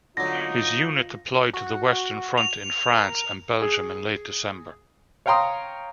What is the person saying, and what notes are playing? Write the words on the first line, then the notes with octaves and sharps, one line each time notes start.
His unit deployed to the Western Front in France and Belgium in late December.
D3 F#3 D#4 F4 A#6
F#4
F7
A#4
G#4
C#5 F5 G5 A#5 C6 D#6